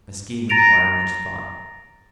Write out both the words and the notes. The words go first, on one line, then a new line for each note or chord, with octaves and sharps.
My scheme required much thought.
A#5 A6 A#6 D7 F7